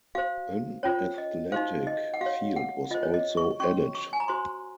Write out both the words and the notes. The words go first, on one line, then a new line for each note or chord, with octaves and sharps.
An athletic field was also added.
F#4 C5 F5
C#4 F4 C5 C#5
D#5
D#4 F#4 C5 F5
D#5
F#5
F#4 F5
C#5
F#5
F4 C5 D#5
C#5
D#5
C#6
C#4 F#4 C#5 C#6
C#6
G#5
A#5
F#4 C5 C6